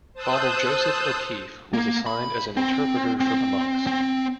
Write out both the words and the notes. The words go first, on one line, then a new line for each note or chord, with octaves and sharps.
Father Joseph O'Keefe was assigned as an interpreter for the monks.
C5 A5 D#6 E6 F#6 G6
A#3
B5
C4
C4
C4